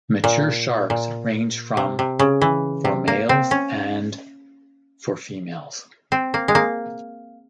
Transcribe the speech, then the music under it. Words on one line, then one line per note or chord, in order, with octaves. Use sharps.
Mature sharks range from for males and for females.
A#2
A#2
C3
C3
C#3
E3
C3
A#3
C4
C#4
C4
A#3
G#3
A#3